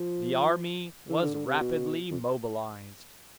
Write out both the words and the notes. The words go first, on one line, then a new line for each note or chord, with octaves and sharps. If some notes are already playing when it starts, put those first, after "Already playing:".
The army was rapidly mobilized.
Already playing: F3
E3
D3
D3
C3
B2
F2